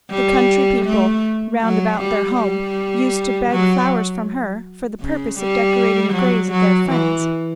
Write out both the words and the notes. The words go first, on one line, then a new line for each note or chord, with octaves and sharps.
The country people round about their home used to beg flowers from her for the purpose of decorating the graves of their friends.
G3
A3
F#3
G3
G3
F#3
C#3
G3
F#3
F#3
E3